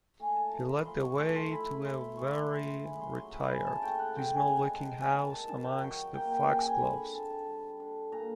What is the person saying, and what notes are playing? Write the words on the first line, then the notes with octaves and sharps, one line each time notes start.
He led the way to a very retired, dismal-looking house amongst the foxgloves.
A3 G#5
A5
F3 A#5
B5
F3 C6
C#6
A3 C6
C6
E4 B5
E4 C6
E4 C#6
C6
E4 C6
C6
C#3 B5
C6
F#3 C6
B5
C#3
A5
A3 G5
F#5
C4 G5
G#5
G#3 G#5
A5
C4 G5
G#5
D#3 A5
A5
F#2 A5
G5
F#3 G5
A#3 G5
G5
C#3 G5
G5
G#5
D3 B5
C4 A5
A5
G3
D3
A#2 A#5